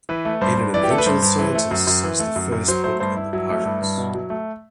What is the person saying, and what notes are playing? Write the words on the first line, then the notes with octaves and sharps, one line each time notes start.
In an Adventure with Scientists is the first book in The Pirates!
E3 B4
A3
G2 C5
G2
E3 D5
G4
A3 A4
B4
G2 C5
G2
E3
A3
F#2
F#2
E3
A3
F#2
F#2
F#3 C5
A3 C5
G2 C5
G2 E4
F#3 E4
A3
G2
G2
B2
F#3
A3